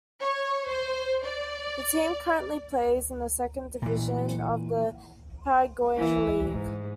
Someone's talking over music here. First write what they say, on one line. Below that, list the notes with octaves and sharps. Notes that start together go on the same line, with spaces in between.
The team currently plays in the second division of the Paraguayan League.
C#5
C5
D5
A#2 E3
E3
G#2